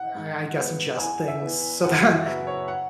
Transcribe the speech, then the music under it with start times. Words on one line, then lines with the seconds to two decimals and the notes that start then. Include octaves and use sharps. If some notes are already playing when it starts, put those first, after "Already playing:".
I I guess adjust things so that
Already playing: F#5
0.15 G#2
0.57 G#3 B3
0.99 E2 G#5
1.28 E5
1.42 E3 B3
1.84 F#2 F#5
2.00 F#4
2.05 E4
2.26 C#3 F#3 B3 E5
2.47 C#5
2.68 F#5